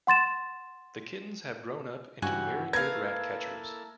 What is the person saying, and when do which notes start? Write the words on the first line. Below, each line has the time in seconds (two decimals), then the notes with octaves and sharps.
The kittens have grown up into very good rat-catchers.
0.07 F#5 C6 A6 E7
2.22 G2 C#3 E3 F#4 G4 G#5 F#6
2.73 A#3 E4 A4 B4 F5 A#5 G#6